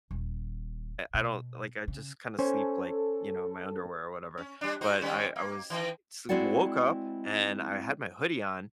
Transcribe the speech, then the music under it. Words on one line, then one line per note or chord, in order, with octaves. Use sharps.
I don't like I just kind of sleep like, you know, in my underwear or whatever but I I was s woke up and I had my hoodie on
D#1
B2
C#3
C#4 A4 C5 G#5
C#4
G3 D4
D#4 F#4 C5
D#3 G3 C#4
A#3
D#3 E3
G#3 C4 E4 F#4 D5 F#5